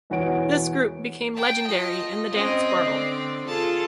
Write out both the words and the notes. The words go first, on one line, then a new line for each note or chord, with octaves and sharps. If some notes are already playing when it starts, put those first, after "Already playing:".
This group became legendary in the dance world.
E1 E2 F#4 C#5 D7
G5 A5
F4 D#5
C4 C#4 D#5
D3 D5
F4 G#4 A4 A5